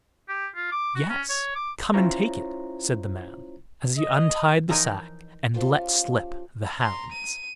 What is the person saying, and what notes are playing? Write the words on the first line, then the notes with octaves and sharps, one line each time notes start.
'Yes, come and take it', said the man, as he untied the sack and let slip the hounds.
G4
F4
D6
F#4
C#4
C#5
D6
C#4 E4 F4 C5 C#5 A#5
D#5
E3 F3 D#4 A#4 C#5 D#5
C#4 F4 G4 A4 C5 F5
A#5 C6
D#7